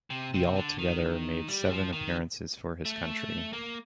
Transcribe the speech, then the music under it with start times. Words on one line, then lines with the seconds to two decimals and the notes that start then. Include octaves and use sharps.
He altogether made seven appearances for his country.
0.10 C3
0.34 C3
0.56 D3
0.79 D#3
1.48 G3
1.70 F3
1.93 D#3
2.85 A3
3.53 A#3